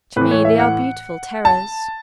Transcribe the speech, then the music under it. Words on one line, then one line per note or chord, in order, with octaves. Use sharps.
To me they are beautiful terrors.
A2 E3 B4
C#5
E5
F#5
A5